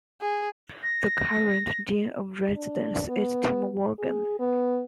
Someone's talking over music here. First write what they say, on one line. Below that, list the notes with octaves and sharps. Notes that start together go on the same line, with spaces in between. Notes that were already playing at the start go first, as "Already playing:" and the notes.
The current Dean of Residence is Tim Worgan.
G#4
A#6
D4
B3
G#4
B3